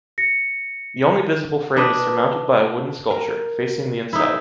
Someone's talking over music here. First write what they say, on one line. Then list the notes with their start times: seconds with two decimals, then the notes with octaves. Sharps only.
The only visible frame is surmounted by a wooden sculpture, facing the inside.
0.18 A#6 C#7
1.77 D4 B4 D#5
3.11 A#4
4.13 D#4 E4